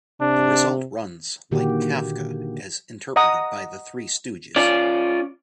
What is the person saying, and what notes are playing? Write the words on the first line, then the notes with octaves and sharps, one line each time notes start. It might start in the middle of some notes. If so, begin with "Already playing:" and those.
The result runs like Kafka as interpreted by the Three Stooges.
C3 D4
A#2 D3 D#3 A#3 F#4 G4
D#5 F#5 A#5 D#6
C#4 F4 D5